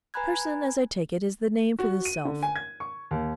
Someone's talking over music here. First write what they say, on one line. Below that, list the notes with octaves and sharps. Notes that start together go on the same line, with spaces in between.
PERSON, as I take it, is the name for this self.
B4 G#5 A#5 B5 F#6 G#6
F#4
D#7
D3
G#5
G#6
C#6
D#2